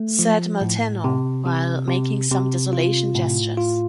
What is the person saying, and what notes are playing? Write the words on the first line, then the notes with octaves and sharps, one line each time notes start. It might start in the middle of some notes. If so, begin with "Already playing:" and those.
Said Maltenu while making some desolation gestures.
Already playing: A3
F3
A2
C3
C3
C3
C3
F4
A2
F4